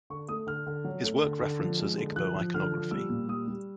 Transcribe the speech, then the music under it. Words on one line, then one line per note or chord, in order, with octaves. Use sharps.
His work references Igbo iconography.
D3 C#6
A3 D#6
D3 F6
D3
F#3
A3
D3
D3
F3
G#3
D3
F3 F#6
F3
D3 F6
F3
G3 E6
A#2
G3 D#6
G3